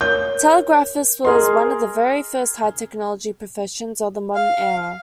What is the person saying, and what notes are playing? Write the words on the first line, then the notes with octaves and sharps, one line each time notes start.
Telegraphist was one of the very first "high-technology" professions of the modern era.
A#4 C#5 G6
G#4 A#4 D#5 C6
F5